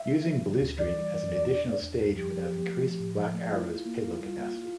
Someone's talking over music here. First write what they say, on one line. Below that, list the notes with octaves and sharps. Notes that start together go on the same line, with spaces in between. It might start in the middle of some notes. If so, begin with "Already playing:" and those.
Using Blue Streak as an additional stage would have increased Black Arrow's payload capacity.
Already playing: E5
D3
F3
D3
D2
E3 D5
G3
E3
E2
D4
D4
E2
G3
F3 G4
F3
F3
A3
F3
A2
F3
A3
E4 F4
E4
A#3
E4
G3
A#3
E4